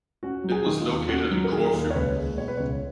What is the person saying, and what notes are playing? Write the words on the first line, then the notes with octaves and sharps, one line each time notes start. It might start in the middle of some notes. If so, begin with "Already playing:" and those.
It was located in Corfu.
C#4 F#4
F#3
G#4
D#3
F4
D#2
C#4 F#4
F#3
A#4
D#3 G#4
D#2
C#5
C#2 B4
G#3
B2 C#5
B4
C#2 C#5